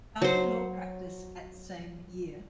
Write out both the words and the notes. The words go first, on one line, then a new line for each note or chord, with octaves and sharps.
Started law practice at same year.
F#3 C5